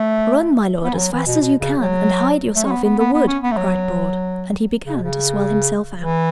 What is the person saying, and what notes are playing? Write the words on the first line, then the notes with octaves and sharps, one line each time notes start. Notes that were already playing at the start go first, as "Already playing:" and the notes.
'Run, my lord, as fast as you can, and hide yourself in the wood,' cried Broad, and he began to swell himself out.
Already playing: A3
B3
E3
F#3
E3
B2
B2
C#3
F#3
A3
C#4
B3
B3
B3
B3
C#4
B3
A3
F#3
C#3
B2
C#3
E3